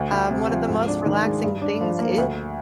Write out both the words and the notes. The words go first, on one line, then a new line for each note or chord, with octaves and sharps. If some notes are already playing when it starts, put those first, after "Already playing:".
Um, one of the most relaxing things, e
Already playing: D2
D2
C3
F3
G#2
D4
D#3
G#3
G2
D4
F3
A#3
D2